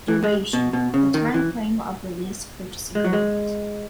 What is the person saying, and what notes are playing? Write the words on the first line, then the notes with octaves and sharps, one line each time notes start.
"Duration" - The timeframe of the Lease-Purchase Agreement.
E3
G#3
B2
B2
C#3
D#3
E3
G#3
F#3
G#3